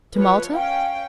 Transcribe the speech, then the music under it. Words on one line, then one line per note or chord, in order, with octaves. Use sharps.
"To Malta?"
F3 B4 C#5
C#4 F5 G5